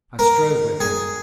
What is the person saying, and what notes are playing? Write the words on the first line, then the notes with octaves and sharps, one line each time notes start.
I strove with him.
A#4
G#4